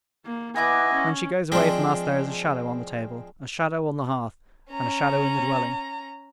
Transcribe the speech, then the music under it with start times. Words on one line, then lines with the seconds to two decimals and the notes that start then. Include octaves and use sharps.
When she goes away from us there is a shadow on the table, a shadow on the hearth, and a shadow in the dwelling.
0.25 A#3
0.56 B3 E4 B4 D#5 F#5 G#5 D6
0.93 C#4
1.52 F3 G#3 C4 D4
4.71 C#4 A#5